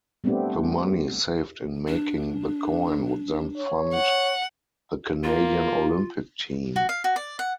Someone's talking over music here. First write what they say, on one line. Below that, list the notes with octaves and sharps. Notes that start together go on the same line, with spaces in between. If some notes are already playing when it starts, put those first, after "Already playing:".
The money saved in making the coin would then fund the Canadian Olympic team.
G3 A3 B3 C4 D4 G4
D4
C#5
F#5
A#3 F4
F#4
F5
F#4
D5
F#5